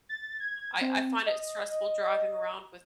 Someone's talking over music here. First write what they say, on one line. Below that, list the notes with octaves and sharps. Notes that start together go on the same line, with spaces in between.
I I find it stressful driving around with
A6
G#6
C4
D#5